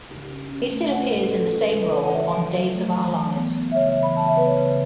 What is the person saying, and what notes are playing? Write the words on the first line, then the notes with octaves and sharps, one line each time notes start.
He still appears in the same role on "Days of Our Lives".
C#3
C#4
C#4
A3
C#4 F#5
B4
A2 A4
B4
E3 A4
B4
C#4
B4
C#3 A4
B4
E3 C#5
F#5
C#3 E5
F#3
F#3
A3
E3
E3
B3
B3
E5
C#3 C#5
E5
E3
B5
C#3 A5
E5
B3 B4
C#5
C#3